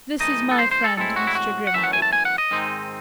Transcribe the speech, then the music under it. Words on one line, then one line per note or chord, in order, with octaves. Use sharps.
'This is my friend, Mr. Grimwig.
C2 C3 E3 A3 D#4 D#5
A4
C5
C5
A4
A2 G#3 C4 E4 A4
F#4
E4
F#4
F#5
F#2 E3 A3 E5
F#5
G#5
A5
G#5
F#5
D#5
G#2 D#3 G#3 C4 D#4